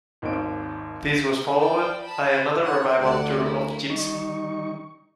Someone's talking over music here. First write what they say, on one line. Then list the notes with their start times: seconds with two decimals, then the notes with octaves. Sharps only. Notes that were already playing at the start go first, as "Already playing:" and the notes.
This was followed by another revival tour of "Gypsy".
0.22 G#1 D#2 C4 D7
1.56 D5 G5
2.02 A5 B5
2.34 C5
2.64 C#5 F#5
2.99 D2 D5 F#5
3.43 A#3 E4
3.90 D#3 G3 D#4 C#6